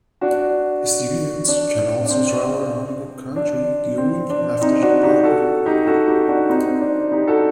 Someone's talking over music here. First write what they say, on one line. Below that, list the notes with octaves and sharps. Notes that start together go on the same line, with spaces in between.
Students can also travel around the country during and after the program.
D4 F#4
D4
D4
C4
D4
C4
D4
C4 D#4
D4 F#4
D#4 G4
F#4 A4
D#4 G4
F#4 A4
D#4 G4
D4 F#4
C4 D#4
C4
D4
D#4 G4
F#4 A4